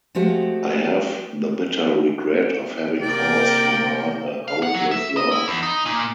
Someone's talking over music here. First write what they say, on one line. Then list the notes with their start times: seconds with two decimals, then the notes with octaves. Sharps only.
I have the bitter regret of having caused in her a hopeless love.
0.15 F3 G#3 A3 C4 F#4 G4
3.02 C3 A#3 A#4 D5 G5
4.48 F5
4.63 F#5
4.74 F#3
4.91 E5
5.17 D#5
5.31 E4
5.48 E2
5.63 D#4
5.85 A#2